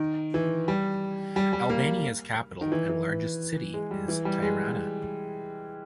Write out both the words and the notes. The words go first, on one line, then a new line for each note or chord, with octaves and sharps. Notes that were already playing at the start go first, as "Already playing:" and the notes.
Albania's capital and largest city is Tirana.
Already playing: D#3
E3
G3
G3
G3
A#3
D#3
E3
E3
G#3
G3
E3
G3
G#3